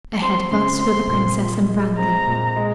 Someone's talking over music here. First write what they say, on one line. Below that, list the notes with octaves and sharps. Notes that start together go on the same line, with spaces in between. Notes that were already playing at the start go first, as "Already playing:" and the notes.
Ahead of us were the princess and Brandon.
C4 C6
C#3 C6
C4 C6
A#2
F4
G#3
C4 A#5
A#2
G#3